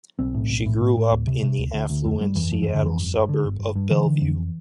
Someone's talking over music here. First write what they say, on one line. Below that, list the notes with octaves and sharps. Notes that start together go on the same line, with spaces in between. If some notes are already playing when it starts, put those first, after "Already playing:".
She grew up in the affluent Seattle suburb of Bellevue.
B1 C4
A2
B1
A2
A2
A2
D2
C3
C3
D2
D2
D2
F2 A3
G1 G3
F2 E3
G1 F3
F2 E3
D3
F2 E3
G1
G1
D3
G1
G1
G2
D3 E3
D3
F2